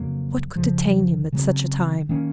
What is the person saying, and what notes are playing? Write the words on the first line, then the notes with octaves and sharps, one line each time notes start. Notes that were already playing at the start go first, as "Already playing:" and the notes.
What could detain him at such a time?
Already playing: F2 C#3 F#3 A#3
F2 C#3 F3
C#3 F#3 C4
D#3 A#3 C#4